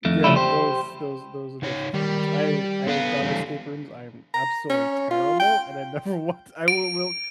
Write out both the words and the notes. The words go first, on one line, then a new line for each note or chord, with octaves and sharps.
Yeah, those those those are definitely fun ones. I I have done escape rooms, I am absolutely terrible, and I never want I will will
F2 A3
C#3 F3 G3 A3 E4
G4 C5
C#3 D#4 C#5
D#3 G3
D3 B3 A4 F5
E3 G3
A#5
C#4
F4
G5
D7